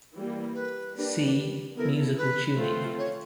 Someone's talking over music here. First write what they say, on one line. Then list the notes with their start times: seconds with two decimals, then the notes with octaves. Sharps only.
See: musical tuning.
0.14 E3 G3 A#3
0.54 B4
0.96 G3 A#3 D4 G4 B4
1.76 B3 E4 A4 A#4
2.17 B4
2.57 A3 C4 F4 A4 C5
2.98 C#5